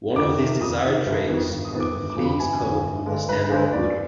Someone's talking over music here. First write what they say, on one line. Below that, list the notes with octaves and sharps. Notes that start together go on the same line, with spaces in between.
One of these desired traits are the fleece coat of the Standard Poodle.
F2 D6
C3 D#3
F2 D#6
C3 D#3
G1
F2 D#3 B3
G1
D#6
F2 D#3 B3
D6
G1
D6
F2 D3 F3
B5
G1 G#5
F2 D3 F3
G1
G2 D3 G#3
G1 B4
G2 D3 G#3 C5
B4
D#2 D5